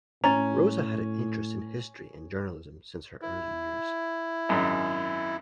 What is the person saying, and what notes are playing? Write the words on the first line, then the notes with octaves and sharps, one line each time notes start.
Rosa had an interest in history and journalism since her early years.
A2 C#4 A#5 A6
E4
G#1 F#2